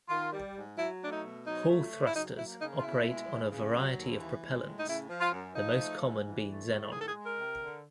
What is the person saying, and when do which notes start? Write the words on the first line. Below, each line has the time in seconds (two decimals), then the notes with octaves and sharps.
Hall thrusters operate on a variety of propellants, the most common being xenon.
0.09 D#3 F4
0.32 G3
0.55 G#2
0.77 F#3 E4
1.01 A3 D4
1.11 D#4
1.22 B2
1.46 F#3 D#4
1.68 A3
1.91 C#3
2.06 E4
2.14 F#3 D#4
2.36 A#3 E4
2.59 C#3 D#4
2.78 F4
2.82 B2 E4
3.05 G#3
3.28 E2
3.51 C#3
3.73 F#3
3.95 D#2
4.18 E3
4.41 G#3
4.64 A2
4.79 D#4
4.86 C#3 E4
5.09 F3
5.21 F4
5.32 F#2
5.55 F3 D#4
5.77 A3
6.00 G#2
6.23 E3
6.46 A3
6.68 A2
6.91 D#3 G#4
6.98 A4
7.06 G#4
7.14 G#3
7.25 A#4
7.37 C3
7.59 D3